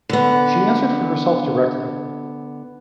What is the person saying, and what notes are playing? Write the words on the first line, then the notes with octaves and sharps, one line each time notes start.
She answered for herself directly.
D3 B3